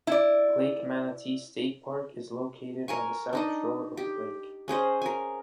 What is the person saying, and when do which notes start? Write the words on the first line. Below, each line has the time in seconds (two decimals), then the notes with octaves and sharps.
Lake Manatee State Park is located on the south shore of the lake.
0.07 E4 D5
2.88 A#4 G#5 C#6
3.33 D4 D#4 D#5
3.97 G4
4.68 C#4 G#4 C5 D#5
5.02 A#4 G#5